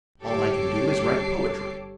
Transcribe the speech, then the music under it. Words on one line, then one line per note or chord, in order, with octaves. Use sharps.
All I can do is write poetry.
G1 G4 A4 C#5 D6 C7